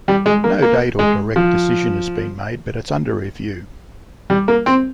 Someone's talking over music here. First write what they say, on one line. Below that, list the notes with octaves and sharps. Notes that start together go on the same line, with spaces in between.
No date or direct decision has been made but it's under review.
G3
G#3
A#3
A#3
G#3
F3
G3
A#3
C4